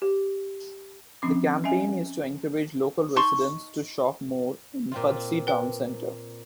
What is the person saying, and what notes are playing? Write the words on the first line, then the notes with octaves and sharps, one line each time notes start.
The campaign is to encourage local residents to shop more in Pudsey Town Centre.
G4
F3 C4 C#4 D6
C#4 D#5 E5 G#5
D#4 A5 C6 C#6
A#2 C4 F4
B4 G5